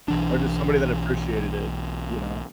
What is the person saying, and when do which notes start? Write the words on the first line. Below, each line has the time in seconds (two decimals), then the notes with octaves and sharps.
Or just somebody that appreciated it, you know?
0.08 B1 E3 D4